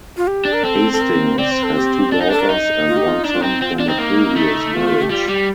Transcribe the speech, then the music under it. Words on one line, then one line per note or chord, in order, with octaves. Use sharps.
Hastings has two daughters and one son from a previous marriage.
F4
G4
D4
A#4
C4 A4
A4
A#4
C4 D5
C5
A4
G4
D4 A4
D#4
D4 A4
A#4
D#4
F4
G4
F4
D4 D#4
F4
C4 D#4
C4 F4
F4
D4
C4 D#4
A#3
A3
F4
G4
G3 F4
G3 G4